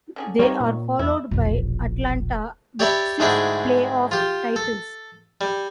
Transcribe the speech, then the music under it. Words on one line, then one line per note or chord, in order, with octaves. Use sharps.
They are followed by Atlanta, with six playoff titles.
D3 C#4 G#4
D#3 G3 A#3 C4 C#5
A#2
E2 E4
E1 A#1
G4 C#5 D5 E5 A5 B5
D2 G#2 D4 E4 G#4 G5
F4 G4
A4
G3